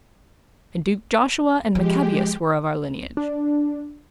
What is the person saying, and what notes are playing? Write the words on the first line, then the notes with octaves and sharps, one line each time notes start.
And Duke Joshua and Maccabaeus were of our lineage.
F3 G#3 G4
D4